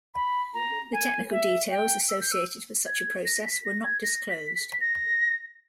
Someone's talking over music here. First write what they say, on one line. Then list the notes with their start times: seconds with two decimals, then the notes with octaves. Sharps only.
The technical details associated with such a process were not disclosed.
0.15 B5
0.54 A#5
0.93 G#5
1.31 E5
1.70 G5
2.09 E6
2.21 G6
2.32 E6
2.86 G#6
3.25 A#6
3.46 B6
3.65 A#6
3.84 G#6
4.03 A#6
4.29 B6
4.55 B6
4.81 A#6